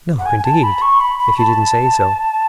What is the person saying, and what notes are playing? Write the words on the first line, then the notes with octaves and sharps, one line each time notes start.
"No, indeed, if you didn't say so."
F#5
G#5
G#5
A5
B5
C#6
B5
B5
A5